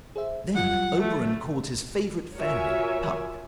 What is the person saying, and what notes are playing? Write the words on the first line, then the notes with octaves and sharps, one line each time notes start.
Then Oberon called his favorite fairy, Puck.
G#4 C5 E5
F#3 G3 F4 F#5
A3
F4 F#4 A#4 C#5 E5 G#5